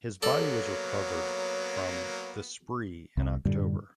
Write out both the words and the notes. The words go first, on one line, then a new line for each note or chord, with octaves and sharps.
His body was recovered from the Spree in October.
F#3 A#3 B3 A4 C#5 D5
C2
F#2 A2 D3 G3